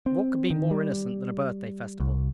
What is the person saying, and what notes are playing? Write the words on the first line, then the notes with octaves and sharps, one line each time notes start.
What could be more innocent than a birthday festival?
C4
D#3
G3
C2